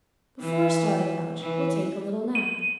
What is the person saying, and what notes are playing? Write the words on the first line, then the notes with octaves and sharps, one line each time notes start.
Before starting out, we'll take a little nap.
E3
E3
D#7